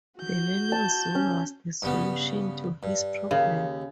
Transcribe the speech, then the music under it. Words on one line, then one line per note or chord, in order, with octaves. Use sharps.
The Learning Zone was the solution to this problem.
F#4 G6
A5
C#4
G2 C#3 B3
G2
D#2 C#3